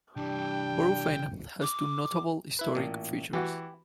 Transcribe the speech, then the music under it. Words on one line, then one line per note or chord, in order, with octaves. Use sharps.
Borough Fen has two notable historic features.
C2 E3 G3 D4 G5
D6
E4 B4
A1 A#2
E3 F#4 G4